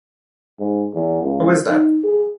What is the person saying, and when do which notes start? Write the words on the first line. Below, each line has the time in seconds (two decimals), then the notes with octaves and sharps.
Who is that?
0.59 G#2
0.94 E2
1.22 C#2
1.69 D#4
2.04 G#4